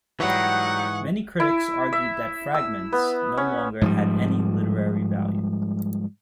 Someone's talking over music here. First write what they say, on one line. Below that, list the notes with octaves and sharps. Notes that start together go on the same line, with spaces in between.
Many critics argued that "Fragments" no longer had any literary value.
G#2 E3 F#3 G3 G#4 F#5 C#6 D#6
E4
E5
E6
B3
C#4
G#2 F3 G3